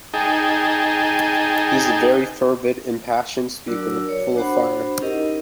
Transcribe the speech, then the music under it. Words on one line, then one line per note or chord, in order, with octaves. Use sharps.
He is a very fervid, impassioned speaker — full of fire!
D#4 G#4 G5 A5
F#3 D4 F#4 A#4 D5 E6
C#5
D4 F#4 C5 F#5 B5
C#4 D#4 E4 G4 A#4 D#5